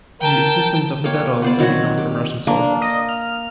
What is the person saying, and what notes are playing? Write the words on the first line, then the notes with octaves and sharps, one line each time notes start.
The existence of the battle is only known from Russian sources.
A#4 G5 A5
A#3 C#5 F5 G5
B3 C5 D5
D#3 F#3 C4 F#4
G4
A#3 D4
D#5
F6